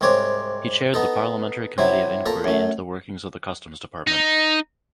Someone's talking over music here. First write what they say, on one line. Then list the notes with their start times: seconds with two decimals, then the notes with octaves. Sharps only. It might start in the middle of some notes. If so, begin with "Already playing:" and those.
He chaired the Parliamentary Committee of Inquiry into the workings of the Customs Department.
0.01 C2 G#2 C4 C#5 D5
0.94 B3 D#4 A4
1.78 C3 F#3 E4
2.26 A#2 A4 A#5
2.44 F#2 A3
4.07 D#4